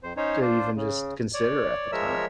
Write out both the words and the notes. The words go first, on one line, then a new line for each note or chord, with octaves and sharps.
to even just consider at the time.
F2 C5
C#4 D#4 C5 C#5
D4 F4 C5
C#3
C#5 D5
F3 G#3 A#4 C#5 E5 E6